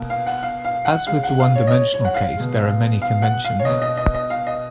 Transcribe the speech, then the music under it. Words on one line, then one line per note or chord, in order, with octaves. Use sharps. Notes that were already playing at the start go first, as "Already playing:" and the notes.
As with the one-dimensional case, there are many conventions.
Already playing: B2 A#3
F5
F#5
F5
F5
F#5
C#3 G#3 F5
F#5
F5
C#5
D#5
C#5
C#5
F#5
F5
B2 G#3
F5
F#5
F5
C#5
B2 A#3 D#5
D#5
D#5
D#5
F5
D#5